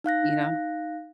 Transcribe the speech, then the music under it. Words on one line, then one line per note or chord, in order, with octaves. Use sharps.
You know?
D#4 F5 F#6 A#6